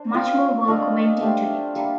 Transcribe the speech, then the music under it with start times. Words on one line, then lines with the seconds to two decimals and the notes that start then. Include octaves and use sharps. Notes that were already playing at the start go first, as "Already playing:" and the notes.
Much more work went into it.
Already playing: D4 C5
0.14 C4 F4 A#4
0.68 D4 F4 A4 D#5
1.21 A3 D4 G4 C5
1.75 G3 A#3 D4